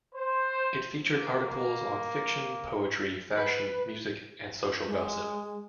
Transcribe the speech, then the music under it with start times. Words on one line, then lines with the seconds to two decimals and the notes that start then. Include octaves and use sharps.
It featured articles on fiction, poetry, fashion, music, and social gossip.
0.14 C5
1.14 A#3
3.37 B4
4.86 G#3